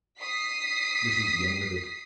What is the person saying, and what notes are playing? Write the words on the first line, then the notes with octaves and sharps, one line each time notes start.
This is the end of it.
D#6 B6 C7